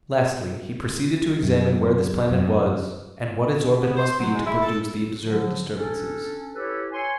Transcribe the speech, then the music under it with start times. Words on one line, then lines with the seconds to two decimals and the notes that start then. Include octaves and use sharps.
Lastly he proceeded to examine where this planet was, and what its orbit must be to produce the observed disturbances.
1.43 F#2
2.31 F#2
3.80 B3
3.97 C5
4.20 F#3
4.33 G#3
4.46 E4
4.62 A4
5.21 D3 F3 F#3
5.75 C#4 D4 A4
6.55 E4 G4 A4 B4 C#5
6.92 C#5 G#5 C6